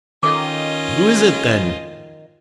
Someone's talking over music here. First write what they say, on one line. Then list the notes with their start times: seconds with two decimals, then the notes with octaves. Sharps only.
"Who is it then?"
0.23 D#3 C#4 F4 A4 D#5 D6